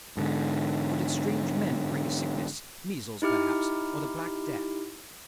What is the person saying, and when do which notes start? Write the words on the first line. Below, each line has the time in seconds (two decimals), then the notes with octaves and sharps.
Or did strange men bring a sickness--measles, perhaps, or the black death?
0.17 G#2 D3
3.22 D#4 E4 G4 F6